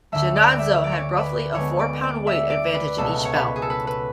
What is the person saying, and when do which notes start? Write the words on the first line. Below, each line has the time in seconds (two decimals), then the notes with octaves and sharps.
Jannazzo had roughly a four-pound weight advantage in each bout.
0.12 D2 D3 A3 E5
0.36 D5
0.59 E5
0.84 D5
0.92 C#5
0.98 D5
1.19 B4
1.54 D2 D3 G#3 B3 C#5
1.79 D5
2.03 D5
2.27 E5
2.50 D5
2.74 B4
2.98 C#2 B2 G#3 B3 A4
3.25 C#5
3.34 B4
3.56 G#4
3.62 A4
3.70 B4
3.87 B4